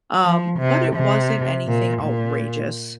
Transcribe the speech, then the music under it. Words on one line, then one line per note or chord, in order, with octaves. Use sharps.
um, but it wasn't anything outrageous,
F3
C3
C3
A#2
A#2